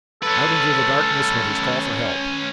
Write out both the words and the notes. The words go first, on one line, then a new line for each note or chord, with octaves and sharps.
Out into the darkness went his call for help.
C#4 A4 B4